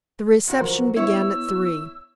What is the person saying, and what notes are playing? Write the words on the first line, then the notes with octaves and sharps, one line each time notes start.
The reception began at three.
A#2 F#4
F3 A#4 C5
B3 E4 C#5 E6